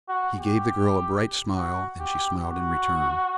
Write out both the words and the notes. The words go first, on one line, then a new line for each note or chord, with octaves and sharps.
He gave the girl a bright smile and she smiled in return.
F#4
G4
F#4
G4
F#4